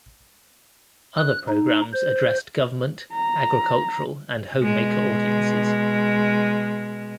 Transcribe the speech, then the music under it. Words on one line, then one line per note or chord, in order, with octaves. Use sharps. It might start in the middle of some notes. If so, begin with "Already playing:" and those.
Other programs addressed government, agricultural, and homemaker audiences.
F#6
D#4
C5
A#5
B2 G#3